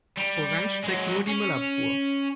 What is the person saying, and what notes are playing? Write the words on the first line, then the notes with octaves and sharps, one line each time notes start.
Orange trägt nur die Müllabfuhr.
G3
F#3 G#3
C#4